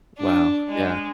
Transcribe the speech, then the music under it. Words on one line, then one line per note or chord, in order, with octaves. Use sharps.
Wow, yeah.
D4
G#3